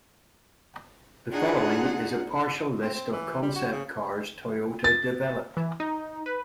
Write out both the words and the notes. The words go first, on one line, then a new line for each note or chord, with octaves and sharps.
The following is a partial list of concept cars Toyota developed.
D4 D#4 F4 G#4 F#5
C4
C4
E3
G3
F#4
C#3
A6
E3
D#4
B4